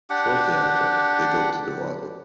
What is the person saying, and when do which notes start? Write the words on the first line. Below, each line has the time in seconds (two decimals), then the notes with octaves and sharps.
Shortly after, they go to Dorado.
0.10 D4 G4 F#5